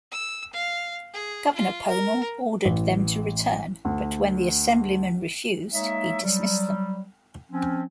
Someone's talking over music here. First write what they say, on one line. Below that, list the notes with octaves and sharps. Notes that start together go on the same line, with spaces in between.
Governor Pownall ordered them to return, but when the assemblymen refused, he dismissed them.
E6
F5
G#4
F4
A#4
A1
D2
G#3 A#3 D#4 C#5 E5
F#3 G3
F3 C4 C#4